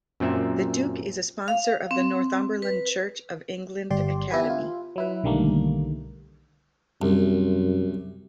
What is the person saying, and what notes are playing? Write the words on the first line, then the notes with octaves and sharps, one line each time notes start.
The Duke is a sponsor of The Northumberland Church of England Academy.
F#2 A#2 C4 E5
F5
C4
B4
G1 G4 D5 C6
B3 E4 G4 B4 G#5
F4
F#3 E4 B4
B1 D3 D#3 G3 A3 A#3
C2 F#2